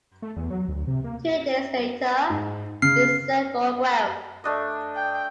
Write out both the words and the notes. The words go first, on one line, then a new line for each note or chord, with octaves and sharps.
Two days later, she sailed for Guam.
A3
E2
F#3
D2
C3
A#3
G#2
C#3 F6 C7
A3 D4 D#5
G5